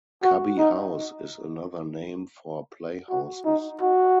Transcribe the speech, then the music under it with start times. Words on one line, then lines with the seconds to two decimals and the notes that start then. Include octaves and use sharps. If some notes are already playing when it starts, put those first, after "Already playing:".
Cubby house is another name for playhouses.
0.24 F#4
0.58 D#4
3.10 F#4
3.45 D#4
3.81 F#4